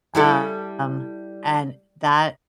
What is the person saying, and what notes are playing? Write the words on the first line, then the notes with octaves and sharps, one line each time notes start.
Um, and that
G3 E4 A4